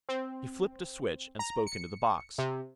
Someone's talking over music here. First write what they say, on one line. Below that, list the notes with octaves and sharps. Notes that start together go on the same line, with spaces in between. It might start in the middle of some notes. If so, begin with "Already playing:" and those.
He flipped a switch and spoke into the box.
C4
A#5
C#7
C3